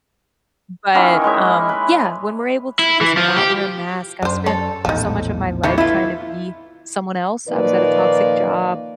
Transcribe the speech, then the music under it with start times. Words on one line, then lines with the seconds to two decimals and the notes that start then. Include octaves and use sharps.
but, um, yeah, when we're able to just not wear a mask, I've spent so much of my life trying to be someone else. I was at a toxic job
0.94 D#3 E3 A#3 C#4
1.24 G#3 C#5 E5
1.69 B4
2.79 E4
3.01 E3
3.17 F3
3.37 G4
4.23 F#2 D3 C5
4.46 A4 C#5
4.85 A#1 E2 A2 F3 D#4
5.63 D#3 E3 A3 D#4
5.78 E4 F4 B4
7.48 A#2 D#3 F3 A#3 B4 D5